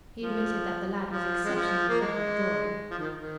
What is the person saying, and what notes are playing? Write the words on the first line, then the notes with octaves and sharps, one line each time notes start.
He admitted that the lad was exceptionally clever at drawing.
F3
F3
G#3
F3
A#3
G#3
F3
D#3
D#3